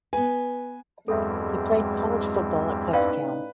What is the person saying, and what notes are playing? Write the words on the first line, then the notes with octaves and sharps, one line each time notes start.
He played college football at Kutztown.
B3 B4 G#5
E2 G2 E3 F#3 G#3 C4 A4 E5
A2 C#4 D#4 B4 D5 F5 G5